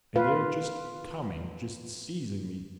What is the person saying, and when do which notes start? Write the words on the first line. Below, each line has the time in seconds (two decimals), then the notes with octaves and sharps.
And they are just coming, just seizing me.
0.16 F4 B4 F5